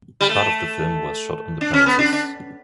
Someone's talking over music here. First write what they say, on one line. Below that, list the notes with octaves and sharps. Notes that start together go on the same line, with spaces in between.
Part of the film was shot on the premises.
G3
A3
D4
C#4
B3
D4
D4